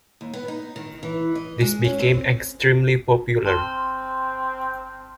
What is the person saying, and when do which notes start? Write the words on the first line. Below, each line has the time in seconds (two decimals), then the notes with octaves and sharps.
This became extremely popular.
0.21 D#2
0.34 B3
0.48 D#4
0.76 D#3
1.03 E3
1.35 D#5
1.61 G#3
1.84 C#4
2.00 C4
3.46 C4 A5 C6 F6